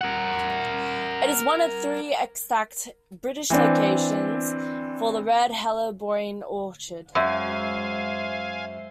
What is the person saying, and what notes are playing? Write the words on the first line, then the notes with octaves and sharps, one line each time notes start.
It is one of three extant British locations for the red helleborine orchid.
A#4 F#5
E3 C4 D4
F#2 G#3 C5 E5 F5 G#5